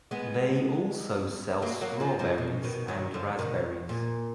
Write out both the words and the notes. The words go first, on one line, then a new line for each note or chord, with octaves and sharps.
They also sell strawberries and raspberries.
G#3 B3
F#3 A#3
F#3 A#3
F3 G#3
F3 G#3
B2
B2 D#3
D#3 F#3
D3 F3
B2 D#3
A#2